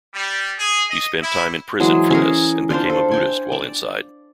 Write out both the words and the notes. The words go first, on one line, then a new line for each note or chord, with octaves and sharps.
He spent time in prison for this and became a Buddhist while inside.
G3
G#4
D#5
E4
E3 F#3 G#3 G#4
C#4 G#4 A#4
D4 F4 A#4 C5
A4
G5 G#5
D5